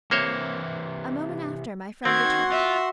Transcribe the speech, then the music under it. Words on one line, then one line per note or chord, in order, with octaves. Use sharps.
A moment after my friend returned.
C3 E3 A#3 C5 C#5
D#3 C4 F#4 F#5 C6 G#6
F4 E5